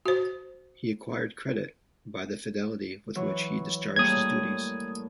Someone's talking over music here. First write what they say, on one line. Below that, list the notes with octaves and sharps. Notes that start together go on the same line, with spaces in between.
He acquired credit by the fidelity with which he discharged his duties.
F#4 C5
E3 F#3 C#6
A2 G3 A#3 D#6 G#6